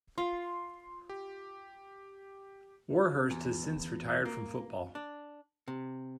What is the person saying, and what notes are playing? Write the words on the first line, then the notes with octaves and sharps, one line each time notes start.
Warhurst has since retired from football.
F4 C6
G4
E2
A#3
D4
C3